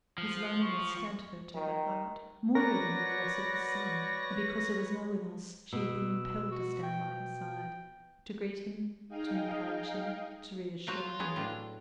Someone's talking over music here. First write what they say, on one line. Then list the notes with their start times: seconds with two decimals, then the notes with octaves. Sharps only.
His loneliness stabbed her to her heart, more even than the loss of her son; and because there was no one else, she had been impelled to stand by his side, to greet him, to encourage him, to reassure him.
0.18 F3
0.62 C#6
1.54 D#3
2.55 F#4 A#4 B4 C#5 D5 F#5 C#6 A#6
5.73 B2 E6
6.51 F#4
6.83 G5
9.08 D#4 G#4 D#5 F5 G5
10.88 F#3 F4 F#4 C5
11.19 F#3 B3 G#4
11.36 A2 D4